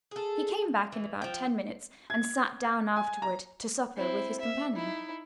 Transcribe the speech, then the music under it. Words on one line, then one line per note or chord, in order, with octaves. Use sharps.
He came back in about ten minutes, and sat down afterward to supper with his companion.
G#4 A4
E3
F3 G5
G#6
G#5
A#5
C4 E4
E5
D#4 E4